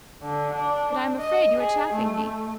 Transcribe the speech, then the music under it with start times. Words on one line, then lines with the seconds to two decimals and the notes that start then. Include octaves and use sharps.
"But I am afraid you are chaffing me."
0.22 D3
0.54 D4
1.18 D#5
1.56 G#4
1.92 A3